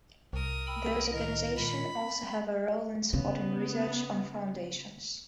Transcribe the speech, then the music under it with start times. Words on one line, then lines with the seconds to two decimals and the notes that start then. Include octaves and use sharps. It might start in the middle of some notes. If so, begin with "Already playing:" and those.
Those organization also have a role in supporting research on foundations.
0.33 C2 A#4 D#6
0.67 G5 B5 E6
1.12 A2 D#3 A#4 D#5
1.56 A#2 D#3 G#3 B5
2.01 C4
3.13 C#3 B3